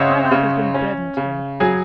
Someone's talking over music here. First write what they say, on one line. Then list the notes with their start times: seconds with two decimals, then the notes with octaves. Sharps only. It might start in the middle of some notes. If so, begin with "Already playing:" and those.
My life has been a burthen to me.
Already playing: C#3 C5 C#5 D#5 E5 F#5
0.31 C#3
0.74 C#4
1.17 C#3
1.60 F#3 G#4